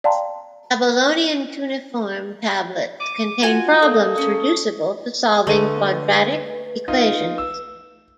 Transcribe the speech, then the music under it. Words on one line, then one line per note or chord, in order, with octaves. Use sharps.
Babylonian cuneiform tablets contain problems reducible to solving quadratic equations.
D5 F5 G5 A5 A#5 C6
D6 D#7
F4 F#4 G#5
A#3 C4 A4 D#6
C#4
D3 A3 B4 D#7
D#4 F4
E6